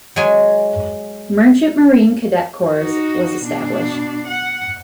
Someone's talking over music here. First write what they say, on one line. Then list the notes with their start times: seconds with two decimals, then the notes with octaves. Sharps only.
Merchant Marine Cadet Corps was established.
0.16 F#3 G#3 G#5
2.75 D#4 F#4
3.44 B2 D4
4.27 F#5